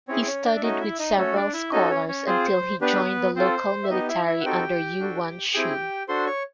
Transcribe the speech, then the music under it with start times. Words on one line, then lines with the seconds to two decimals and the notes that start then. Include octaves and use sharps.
He studied with several scholars until he joined the local military under Yuan Shu.
0.08 C4 C#4 E4 G#4 C#5
0.26 C#4 C#5
0.44 D4 D5
0.56 E5
0.63 A3 C#4 D#4 F#4 D#5
0.81 E4 E5
0.99 D#4 D#5
1.17 A3 C#4 F#4 A4 C#5
1.35 D4 D5
1.54 E4 E5
1.72 C#4 D#4 F#4 A4 D#5
1.90 C#4 C#5
2.08 C#4 C#5
2.26 C4 F4 G#4 C5
2.81 B3 D4 G4 B4
3.36 C4 F4 A4 C5
3.83 E5
3.90 B3 D#4 G4 D#5
4.08 E4 E5
4.27 E4 E5
4.41 F#5
4.45 C4 D#4 F#4 G4 A4 G5
4.99 D4 F#4 A4
5.54 C4 E4 G4 G#4 G5
6.08 D4 F#4 A4 C5 C6
6.26 C#5 C#6